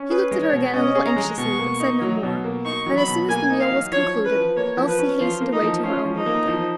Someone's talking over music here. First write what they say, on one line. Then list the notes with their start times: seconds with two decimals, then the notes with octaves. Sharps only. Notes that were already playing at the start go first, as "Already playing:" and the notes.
He looked at her again a little anxiously, but said no more; and as soon as the meal was concluded, Elsie hastened away to her own room again.
Already playing: C#4
0.10 G#4 B4
0.31 G#3
0.42 C#5
0.52 B2
0.74 C#4 D#5
0.95 G#4
1.06 A#5
1.16 G#3
1.38 B2 C#6
1.59 A#3
1.80 D#4
2.01 F#3
2.23 B2
2.44 A#3
2.65 D#4 C#6
2.86 F#3
2.97 B5
3.08 B2
3.28 A#3 G#5
3.50 D#4
3.60 F5
3.71 F#3
3.92 F3 C#5
4.14 C#4
4.25 B4
4.35 F3
4.56 A#3 C#5
4.77 F3
4.88 B4
4.99 C#4
5.20 F3 F4
5.41 A#3
5.52 D#4
5.62 F3
5.83 C#4 F4
6.05 F3
6.15 D#4
6.26 A#3
6.48 F3